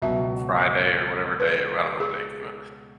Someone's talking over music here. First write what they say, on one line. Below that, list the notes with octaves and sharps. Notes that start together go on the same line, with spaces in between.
Friday or whatever day I don't know what day it came out.
C#2 B2 F#3 B3 E5
B4
G#4